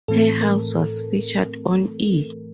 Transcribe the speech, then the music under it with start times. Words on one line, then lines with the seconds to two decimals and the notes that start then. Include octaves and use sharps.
Her house was featured on E!
0.08 A2 E3 A3 C4 A4
0.41 A#4